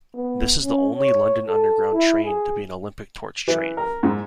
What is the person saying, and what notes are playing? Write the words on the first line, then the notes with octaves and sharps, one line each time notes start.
This is the only London Underground train to be an Olympic Torch train.
B3
C#4
C#5
A4
E4
G#4
E3
A#4
G#2